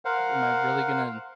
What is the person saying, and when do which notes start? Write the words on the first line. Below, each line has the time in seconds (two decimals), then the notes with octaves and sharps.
am I really gonna
0.05 A#4 C5 F5 F#5